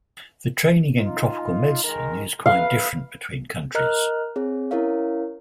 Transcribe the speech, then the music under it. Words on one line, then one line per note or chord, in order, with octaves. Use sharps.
The training in Tropical Medicine is quite different between countries.
D#4 F4
D#3 G#3 A#4
B1 B4 F5
A#4 D#5 A#5 F6 F#6
C4 G#4 C#5
C#4 E4 A#4 C#5 F5